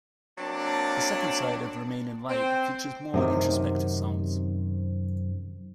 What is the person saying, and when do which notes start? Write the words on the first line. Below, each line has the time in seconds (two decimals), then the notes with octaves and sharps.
The second side of "Remain in Light" features more introspective songs.
0.38 F#3 A#3 C4 D4
2.29 C4 C5
3.14 F#2 C3 D#3